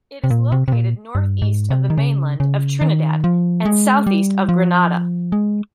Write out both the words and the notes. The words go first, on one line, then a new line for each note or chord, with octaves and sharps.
It is located northeast of the mainland of Trinidad and southeast of Grenada.
C3
A#2
C3
C3
A#2
G2
G#2
C3
D#3
C#3
C#3
D#3
F3
G#3
G3
F3
G#3